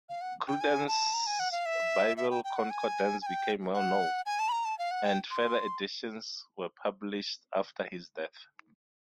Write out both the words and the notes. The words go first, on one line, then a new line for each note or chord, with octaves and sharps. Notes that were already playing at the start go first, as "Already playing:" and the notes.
Cruden's Bible Concordance became well-known, and further editions were published after his death.
F5
F#5
G5
G#5
A5
A#5
G#5
F#5
F5
E5
E5
G5
G5
F#5
G#5
G#5
G5
F#5
G#5
A5
B5
A#5
A5
F5
F#5
G5
C6